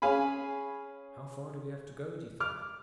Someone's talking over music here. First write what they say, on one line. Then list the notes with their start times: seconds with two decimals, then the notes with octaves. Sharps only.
"How far do we have to go do you think?"
0.02 C#4 G#4 F5 G#5 B5
2.40 D6 F6